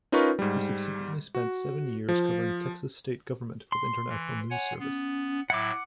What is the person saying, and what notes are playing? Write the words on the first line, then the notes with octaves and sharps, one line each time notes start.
He subsequently spent seven years covering Texas state government for the International News Service.
C#4 D#4 F4 A#4 B4 C#6
G#2 G3
F#4
F3
C6
E3
C#5 F#5 G#5
B3 C#4
A2 F#3 E4 E5 F#5 D6